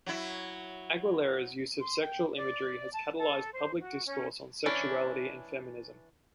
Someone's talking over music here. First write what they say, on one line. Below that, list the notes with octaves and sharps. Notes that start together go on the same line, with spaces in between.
Aguilera's use of sexual imagery has catalyzed public discourse on sexuality and feminism.
F#3 E4
C6
G5
D5
A5
A4
C5
F#4
C#4
E3 C#4 D4